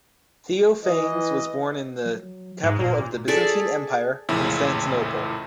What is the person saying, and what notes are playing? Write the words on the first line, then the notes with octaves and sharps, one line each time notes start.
Theophanes was born in the capital of the Byzantine Empire, Constantinople.
E3 D#5
F#3
G#2
F1 A#2
G#4 A4 D5 E5
A1 F2 A#2 C#3 E4 E5